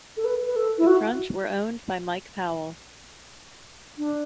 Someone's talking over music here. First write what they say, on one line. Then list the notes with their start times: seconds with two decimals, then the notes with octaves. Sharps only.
The Crunch were owned by Mike Powell.
0.17 A4
0.25 B4
0.47 B4
0.56 A4
0.78 E4
0.87 F#4
3.98 D4